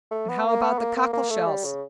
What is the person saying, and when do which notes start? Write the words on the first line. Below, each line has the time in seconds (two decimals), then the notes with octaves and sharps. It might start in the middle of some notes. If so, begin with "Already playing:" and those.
"And how about the cockle-shells?"
0.11 A3
0.29 B3
0.46 A#3
0.62 B3
0.79 A#3
0.97 A#3
1.13 A#3
1.30 A3
1.47 G3
1.65 C#3